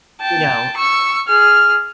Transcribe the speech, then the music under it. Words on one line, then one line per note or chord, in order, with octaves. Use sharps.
you know?
G5 A5
C#6 E6
G#4 F6